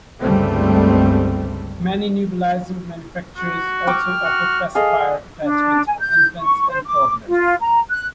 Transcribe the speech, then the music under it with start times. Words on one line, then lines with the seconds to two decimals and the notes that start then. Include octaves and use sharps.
Many nebulizer manufacturers also offer pacifier attachments for infants and toddlers.
0.19 G1 C#2 G3 A3 C4
3.37 F#4
3.87 G5 C#6 D6 F6
4.24 F#4
4.75 G#4 A4 D#5 F5
5.42 D4
5.86 G#5
5.99 G6
6.41 C#6
6.68 C5
6.86 D6
7.29 F4
7.61 A#5
7.90 F#6